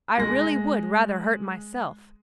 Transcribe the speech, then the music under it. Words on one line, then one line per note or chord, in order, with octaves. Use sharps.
I really would rather hurt myself.
G#3 A#6